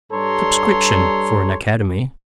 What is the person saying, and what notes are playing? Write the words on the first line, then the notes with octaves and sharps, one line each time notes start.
Subscription for an Academy.
G2 G3 A4 C#5 A#5 C6